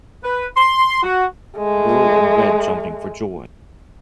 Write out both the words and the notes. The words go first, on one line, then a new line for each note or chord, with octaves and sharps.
Girl in red jumping for joy.
B4
C6
F#4
G#3 A3